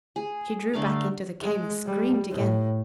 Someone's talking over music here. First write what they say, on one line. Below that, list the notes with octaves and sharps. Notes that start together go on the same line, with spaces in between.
She drew back into the cave and screamed again.
G#4
D3 A3 A#4 F5
G#3
G3
A2